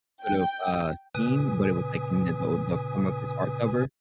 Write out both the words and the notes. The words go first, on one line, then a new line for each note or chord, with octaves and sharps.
sort of, uh, theme, but it was like in the the the form of his art cover,
G5
A#2 C#3 B4 G#5 D#6